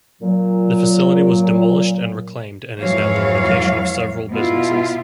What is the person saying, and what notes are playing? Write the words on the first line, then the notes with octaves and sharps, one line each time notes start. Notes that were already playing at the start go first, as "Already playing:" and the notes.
The facility was demolished and reclaimed and is now the location of several businesses.
A#2 F#3
F2 G#2 E3 F#3 C#5 F5
B2 E4 F4